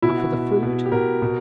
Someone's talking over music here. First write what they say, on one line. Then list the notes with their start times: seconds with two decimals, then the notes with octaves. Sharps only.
And for the food!
0.02 B2 E4
0.17 F#4
0.33 B2
0.63 B2
0.85 G4
0.92 B2 A#4
1.22 B2